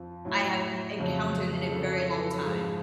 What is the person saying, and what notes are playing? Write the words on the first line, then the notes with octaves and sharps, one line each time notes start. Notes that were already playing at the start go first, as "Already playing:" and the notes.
I have encountered in a very long time,
Already playing: F2 F3
A2 F#3
F2 C#3 F#3
G#4
F2 C#3 F#3 A4
A4
B4
A4
G#2 F3 G#4